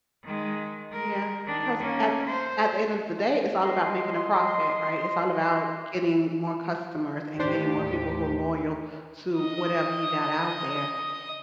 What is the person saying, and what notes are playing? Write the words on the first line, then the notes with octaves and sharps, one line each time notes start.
Yeah, 'cause at th at the end of the day, it's all about making a profit, right, it's all about getting more customers, and getting more people who are loyal to whatever you got out there,
D#3 G#3
G#3 A#4
D#3 D4
A#3 C#4
C5
D#5 C6
D#2 A2 D4 G4 C5
D#5 D#6